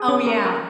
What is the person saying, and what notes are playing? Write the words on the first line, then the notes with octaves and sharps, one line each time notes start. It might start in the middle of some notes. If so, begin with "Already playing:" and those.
Oh, yeah,
Already playing: G#4
C#4
A#4
A#4